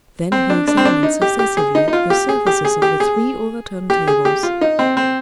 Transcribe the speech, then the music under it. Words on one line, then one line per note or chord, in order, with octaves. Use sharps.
Then he examined successively the surfaces of the three overturned tables.
C4
D4
D4
C4
D4
D#4
G4
G4
G#4
D#4
D#4
F4
G4
G#4
G4
G#4
G4
G#4
G4
G#4
G4
F4
D#4
C4
C4